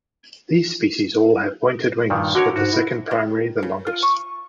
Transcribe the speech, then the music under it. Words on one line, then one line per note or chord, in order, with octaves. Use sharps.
These species all have pointed wings with the second primary the longest.
G2 A#2 D#3
D3 F#4 A#4 C#5
G#2 F#4
E4
D#3
C#3
F4
C#6